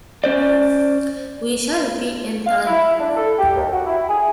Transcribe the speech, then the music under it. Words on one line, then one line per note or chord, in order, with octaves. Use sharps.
We shall be in time.
C#4 C5 D5
F5
E4
D4
A4
G4
D#2
F#4
E4
G#4